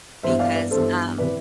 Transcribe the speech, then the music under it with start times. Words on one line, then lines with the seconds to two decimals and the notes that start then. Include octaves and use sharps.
because, um,
0.23 G2 E3 B3 C5 E5
0.39 D5 F5
0.55 B4 D5
0.71 G2 E3 B3 A4 C5
1.18 C3 E3 B4 D5